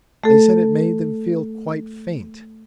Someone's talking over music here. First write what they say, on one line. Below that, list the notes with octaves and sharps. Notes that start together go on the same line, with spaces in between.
They said it made them feel quite faint.
A3 A4